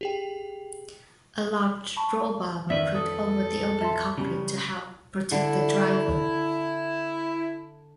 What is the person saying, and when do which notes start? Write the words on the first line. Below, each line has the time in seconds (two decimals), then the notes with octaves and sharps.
A large rollbar was put over the open cockpit to help protect the driver.
0.01 G4 G#4 G5
1.97 A5 B5 C#6
2.70 F2 D#3 B4 D5 E5
2.94 A4 D#6
3.81 E5 A5 C6
4.18 F#2 C#3 G3
5.32 D3 E4